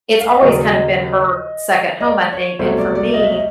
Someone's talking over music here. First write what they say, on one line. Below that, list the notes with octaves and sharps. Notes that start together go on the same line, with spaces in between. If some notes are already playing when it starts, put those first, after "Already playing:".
it's always kind of been her second home, I think, and for me
F5
E5
D#5
D#2 C#3 F#3 D5
D#5
D#5
D5
C#5
C2 B2 F#3 A3 C5
C#5
D5
D5
D#5
E5
D#5